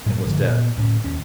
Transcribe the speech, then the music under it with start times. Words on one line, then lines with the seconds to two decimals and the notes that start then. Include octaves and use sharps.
It was dead.
0.06 G2 A#2 F#3 G3
0.24 G2 D3 F3 G#3
0.42 A#2 B3
0.77 D2 A2 C4 C#4
1.04 D#2 C#4